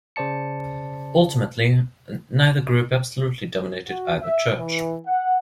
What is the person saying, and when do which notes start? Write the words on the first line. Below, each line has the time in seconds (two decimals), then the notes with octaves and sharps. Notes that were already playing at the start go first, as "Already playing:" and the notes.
Ultimately, neither group absolutely dominated either church.
0.16 C#3 C5 D5 A5 C#7
3.86 F#4
4.22 E5
4.57 E3
5.06 F#5